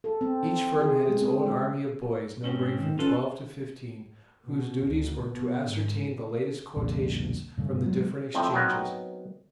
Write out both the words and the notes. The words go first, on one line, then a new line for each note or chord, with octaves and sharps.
Each firm had its own army of boys, numbering from twelve to fifteen, whose duties were to ascertain the latest quotations from the different exchanges.
A4
C4
C4
G#4
G#3
C4
G#3
G#2 C4 C#4
D#3
C#4 F4 A4 B4
B2
D2
B2
G#2
C2 F2 A#2 D3
G2 C#3 A3
F#3 G#3
F2 A2 C4
F#3 B3 C4 D#4 A#4 B4